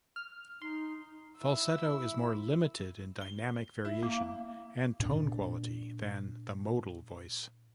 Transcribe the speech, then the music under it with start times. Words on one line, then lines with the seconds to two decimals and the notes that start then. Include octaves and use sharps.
Falsetto is more limited in dynamic variation and tone quality than the modal voice.
0.16 F6
0.62 D#4 C6
1.38 E4 E6
3.21 G7
3.85 E4
4.03 A#3
5.00 A#2 D4